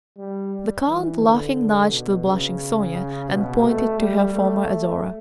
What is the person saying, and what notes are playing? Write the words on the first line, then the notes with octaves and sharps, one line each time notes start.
The count, laughing, nudged the blushing Sonya and pointed to her former adorer.
G3
E3
D3
B2
C#3
B2
A3
G3
A3